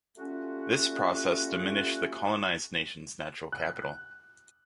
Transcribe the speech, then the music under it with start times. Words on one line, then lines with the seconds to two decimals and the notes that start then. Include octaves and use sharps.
This process diminished the colonised nation's natural capital.
0.17 G3 A3 A#3 C#4 F4 F#4
3.52 F#6